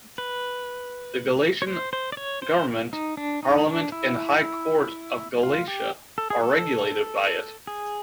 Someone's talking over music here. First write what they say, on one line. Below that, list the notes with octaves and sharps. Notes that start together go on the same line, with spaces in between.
The Galician Government, Parliament and High Court of Galicia are regulated by it.
B4
C#5
C5
C5
D5
C#5
C5
D#4
D4
D#4
D4
E4
F4
G4
A4
G#4
A4
G#4